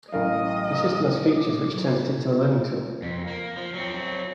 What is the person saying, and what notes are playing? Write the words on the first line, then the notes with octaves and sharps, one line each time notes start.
The system has features which turns it to a learning tool.
A1 F#3 A#4 D#5 F5
F2
A#3
F3
F#3 C4